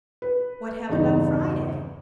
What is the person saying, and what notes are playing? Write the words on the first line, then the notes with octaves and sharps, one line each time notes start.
"What happened on Friday?"
B4
E2 G2 C#3 D#4